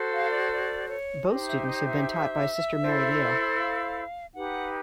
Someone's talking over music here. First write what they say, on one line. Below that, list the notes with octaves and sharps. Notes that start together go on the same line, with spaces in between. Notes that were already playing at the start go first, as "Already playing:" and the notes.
Both students had been taught by Sister Mary Leo.
Already playing: F#4 A4 C5
F5
D5
D5
C#5
D#4 G4 C5 D#5
E5
D#5
D#5
E5
E4 A4 C5
F5
D#4 G4 B4 F#5